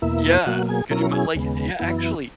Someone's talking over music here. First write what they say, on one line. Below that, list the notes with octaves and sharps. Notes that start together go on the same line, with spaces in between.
Yeah. Could you ma like, yeah, actually
E2 B2 A#3 E4 E5
B2 F#3 A#3 F#4 F#5
G#4 G#5
B2 F#3 C#4 E4 A#4 A#5
G#4 G#5
D#2 C#3 G#3 B3
F#2 E3 B3 E4